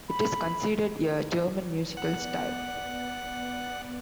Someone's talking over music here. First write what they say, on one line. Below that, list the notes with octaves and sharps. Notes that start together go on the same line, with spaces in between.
It is considered a German musical style.
B5
B3 D5 F#5